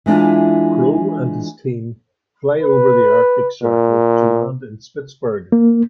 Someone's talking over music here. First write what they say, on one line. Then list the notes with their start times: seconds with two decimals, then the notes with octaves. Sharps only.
Crowe and his team fly over the Arctic Circle to land in Spitzbergen.
0.06 E3 G#3 D4 E4 F4
2.62 B4
3.63 A#2
5.52 A#3